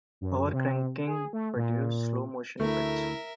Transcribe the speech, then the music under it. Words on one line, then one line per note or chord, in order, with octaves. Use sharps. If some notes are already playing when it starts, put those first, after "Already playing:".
"Overcranking" produces slow motion effects.
F#2
C3
G#4
A3
A#2
D2 A3 E4 A#4 E5